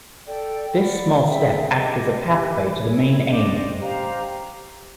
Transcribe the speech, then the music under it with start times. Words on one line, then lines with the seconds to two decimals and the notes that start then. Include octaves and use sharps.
This small step acts as a path way to the main aim.
0.25 A4 D5 G5
0.75 A#4 D5 F#5 B5
1.25 G#4 C5 E5 G5
1.77 G4 A#4 D#5 F#5
2.27 E4 G4 B4 E5
2.78 E4 G#4 C#5
3.28 D4 G4 C5 D#5
3.79 G4 C5 F5 A#5